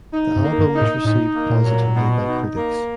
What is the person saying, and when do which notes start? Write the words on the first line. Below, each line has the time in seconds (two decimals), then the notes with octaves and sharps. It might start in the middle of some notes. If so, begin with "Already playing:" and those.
The album was received positively by critics.
0.12 D#4
0.36 G2
0.43 A#3
0.58 G2
0.74 D#4
0.81 A2
1.04 A2 D#4
1.35 A#3
1.50 A#2
1.65 F#3
1.96 B2
2.26 D#4
2.57 A#3